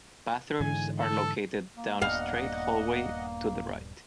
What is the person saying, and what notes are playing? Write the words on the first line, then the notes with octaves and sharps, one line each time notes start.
Bathrooms are located down a straight hallway to the right.
G#2 D3 E3 G#5
A4
A#3
D#1 G2 B3 D#5 F5 F#5